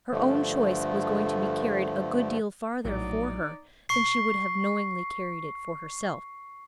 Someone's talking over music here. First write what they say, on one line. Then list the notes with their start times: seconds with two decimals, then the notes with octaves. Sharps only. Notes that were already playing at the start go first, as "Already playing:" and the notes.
Her own choice was going to be carried a good deal farther for her than she would have knowingly carried it for herself.
0.12 G2 D3 F3 A3
2.84 A#1 A2 F#3 D#4 D5
3.89 C#6 C7